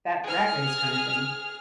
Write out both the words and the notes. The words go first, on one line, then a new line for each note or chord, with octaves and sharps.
that rat race, kinda thing.
G#4 F6